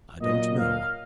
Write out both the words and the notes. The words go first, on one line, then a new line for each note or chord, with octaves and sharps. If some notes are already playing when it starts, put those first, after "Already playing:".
I don't know.
A#2 F#3 A#3 D#5
F5